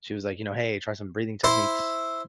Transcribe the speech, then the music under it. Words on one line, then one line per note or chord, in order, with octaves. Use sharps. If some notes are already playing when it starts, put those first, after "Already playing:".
she was, like, you know, "Hey, try some breathing techniques"
E4 C5